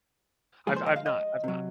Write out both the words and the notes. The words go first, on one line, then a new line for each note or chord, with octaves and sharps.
I've I've not I've not.
A#2 F3 G#3 G#4
C5
D#5
F5
D#5
C3 F#3